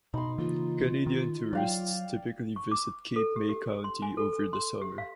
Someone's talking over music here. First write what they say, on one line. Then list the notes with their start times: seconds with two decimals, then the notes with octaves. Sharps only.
Canadian tourists typically visit Cape May County over the summer.
0.14 B2 D#4 B5 C6
0.38 C#3 E3 A#3 F4
1.06 D#3
1.53 F#3 D5 F5 G5
2.56 C#6
2.71 D6
3.16 A4
3.36 G4
3.49 G4
3.84 C6
4.02 G#5
4.17 A4
4.33 A4
4.53 C6
4.82 G4
4.98 F5